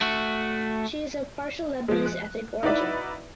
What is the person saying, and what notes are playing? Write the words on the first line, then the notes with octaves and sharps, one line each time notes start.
She is of partial Lebanese ethnic origin.
A3 F#4
F3 G#3
F#6
D#4 E4 F#4 B4 D5 E5